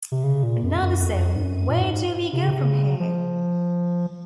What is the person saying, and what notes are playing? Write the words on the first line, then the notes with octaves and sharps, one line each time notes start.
Another song, Where Do We Go From Here?
C3
C#3
A#2
F#2
F#2
F2
G#2
F#2
A#2
G#2
C3
C#3
C3
C#3
F3